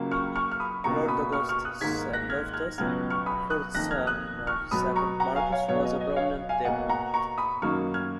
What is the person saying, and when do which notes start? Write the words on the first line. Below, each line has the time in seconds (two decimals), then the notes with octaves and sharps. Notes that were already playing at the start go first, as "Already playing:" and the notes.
Lord Augustus Loftus, fourth son of the second Marquess, was a prominent diplomat.
Already playing: C#2 C#3 F#3 A#3
0.11 C#6 F6
0.36 C#6 F6
0.52 F6
0.60 B5 D#6
0.84 C#2 B2 A#3 A#5 C#6
1.08 B5 D#6
1.32 C#6 F6
1.49 C#6 F6
1.65 D#6 F#6
1.81 G#2 D#3 A#3 G#6 B6
2.13 F#6 A#6
2.30 F6 G#6
2.54 F6 G#6
2.78 C#2 B2 F#3 B3 F6 G#6
3.10 C#6 F6
3.26 B5 D#6
3.50 D#6 F#6
3.74 F2 D#3 A#3 F#6 A#6
3.91 F6 G#6
4.07 D#6 F#6
4.47 C#6 F6
4.71 B2 F#3 B3 B5 D#6
4.96 A#5 C#6
5.20 F#5 A#5
5.36 F5 G#5
5.52 C#5 F5
5.68 B2 F#3 B3 C#5
5.85 D#5
6.01 D#5
6.16 C#5 F5
6.49 F5 G#5
6.65 B2 A#3 D#5 F#5
6.89 F#5 A#5
7.14 A#5 C#6
7.38 B5 D#6
7.62 F#2 D#3 F#3 A#3 C#6 F6
7.94 F6 G#6